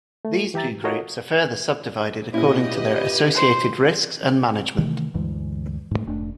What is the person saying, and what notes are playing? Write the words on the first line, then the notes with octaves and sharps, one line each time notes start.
These two groups are further subdivided according to their associated risks and management.
A3
E3 G4 E5 A#5 A6
G#2
F4 F#4 A4 A#4 C#5 D#5
A#2 C#4 E4 G4 B4 D#5
C5
C3 D#3 E3 A3
D2 G2 E3 G#3
G#2 A3
F1 A3 D4